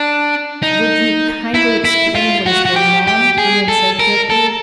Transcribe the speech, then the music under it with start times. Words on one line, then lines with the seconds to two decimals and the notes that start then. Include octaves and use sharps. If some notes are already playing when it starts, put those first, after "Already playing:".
"Would you kindly explain what is going on?" Brion said thickly.
Already playing: D4
0.63 D#4
1.54 E4
1.85 E4
2.15 F4
2.46 F#4
2.65 F#4
2.76 G4
3.07 G4
3.38 G#4
3.68 A4
4.00 A#4
4.30 A4